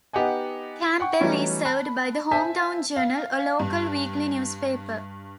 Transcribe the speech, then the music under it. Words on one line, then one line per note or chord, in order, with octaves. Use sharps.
Campbell is served by the "Hometown Journal", a local weekly newspaper.
B3 D#4 G4 D#5 F#5 G#5
F#5 G5 C#6
E3 F#3 G3 A3 C#4 D#4
A5 B5 F#6
C5 E5 G#5 A5 G6 B6
F5
G2